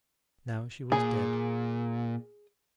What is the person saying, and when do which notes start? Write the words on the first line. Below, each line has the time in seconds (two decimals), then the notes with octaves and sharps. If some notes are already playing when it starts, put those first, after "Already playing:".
Now she was dead.
0.92 A#2 G#4